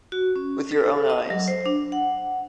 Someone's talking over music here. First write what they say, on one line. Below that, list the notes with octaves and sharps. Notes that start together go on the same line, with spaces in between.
With your own eyes?
F#4
C#4
A4
D#5
F#3
C5
D4
F#5